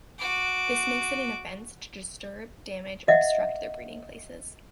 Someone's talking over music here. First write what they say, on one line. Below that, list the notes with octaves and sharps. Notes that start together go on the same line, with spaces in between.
This makes it an offence to disturb, damage or obstruct their breeding places.
F#4 D6
D#5 E5 F#5